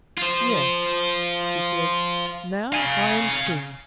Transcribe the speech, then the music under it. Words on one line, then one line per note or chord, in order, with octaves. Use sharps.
"Yes," she said; "now I am king."
F4 C5
F5 G#5